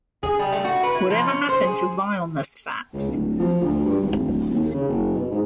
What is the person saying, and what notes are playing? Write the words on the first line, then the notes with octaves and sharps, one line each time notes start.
Whatever Happened to Vileness Fats?
G#4
G3
A3
F#4
B4
E4
F3
C#4
C5
G#4
C#2
D1
F3
D2
G2
G#1
D1
D#2
C#3
F#1
B2
G#2